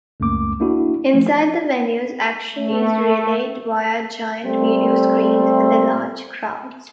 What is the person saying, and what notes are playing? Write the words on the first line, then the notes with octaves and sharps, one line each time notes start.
Inside the venues, action is relayed via giant video screens for the large crowds.
C#2 F#2 A3 A#3 D6
A#3 D4 E4 F#4
F3 A3
A3
G3 A3 C4